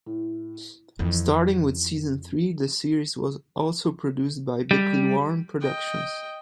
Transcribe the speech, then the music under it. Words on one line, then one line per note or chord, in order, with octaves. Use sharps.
Starting with season three, the series was also produced by Bickley-Warren Productions.
A2
F2 E3
G3
D#5 G5